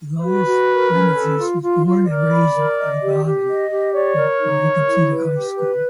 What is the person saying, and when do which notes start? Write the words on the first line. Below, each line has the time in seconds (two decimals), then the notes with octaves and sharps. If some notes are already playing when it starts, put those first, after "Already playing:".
Elias Venezis was born and raised in Ayvali, where he completed high school.
0.22 F#4 B4
0.45 F#4
0.68 A#4
0.92 C#4
1.15 A4
1.39 F4
1.62 F4
1.85 F4
2.07 A#4 D5
2.31 B5
2.54 A#4
2.77 D#5
3.01 G4
3.23 G4
3.48 D#5
3.71 G4
3.94 C#5 D5
4.16 A#4
4.40 D#4
4.63 A#4
4.87 E4
5.09 B4
5.33 G4
5.56 B4